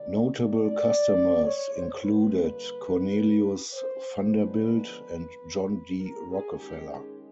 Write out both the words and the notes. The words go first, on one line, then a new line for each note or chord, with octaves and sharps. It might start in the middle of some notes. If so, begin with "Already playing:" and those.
Notable customers included Cornelius Vanderbilt and John D. Rockefeller.
Already playing: C3 D#3 G#3 D5
D5
D5
C#5
C5
D3 G3 A#3 B4
C5
D3 F3 G#3 B3 D4 B4
A#4
G#4
D#3 G#3 C#4 G4
G#4